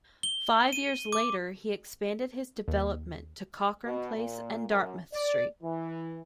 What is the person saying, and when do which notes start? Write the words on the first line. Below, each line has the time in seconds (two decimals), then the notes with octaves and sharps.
Five years later he expanded his development to Cochran Place and Dartmouth Street.
0.23 G7
0.73 D#7
1.13 D6
2.68 D#2
3.85 B2
4.15 A#2
4.68 F#2
5.13 D5
5.63 E3